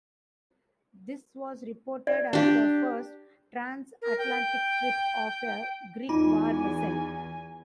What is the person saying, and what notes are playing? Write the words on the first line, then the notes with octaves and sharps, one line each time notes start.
This was reported as the first transatlantic trip of a Greek war vessel.
D5
D4 G4
A#4
G5
E2 D#4 F4 G#5 D6